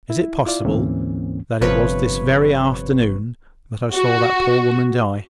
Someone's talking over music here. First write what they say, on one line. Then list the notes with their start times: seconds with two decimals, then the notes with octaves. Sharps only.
"Is it possible that it was this very afternoon that I saw that poor woman die?"
0.10 E4
0.46 E4 F4 D5
0.65 D2 G#2 E3 A#3 C4 C#4
1.61 G1 C3 F3 B4 C#5
3.93 F#4